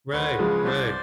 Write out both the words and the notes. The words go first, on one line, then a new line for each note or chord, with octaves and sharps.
Right. Right.
D2 B4 C#5
C#3 F3 G#3
C2 C5 D5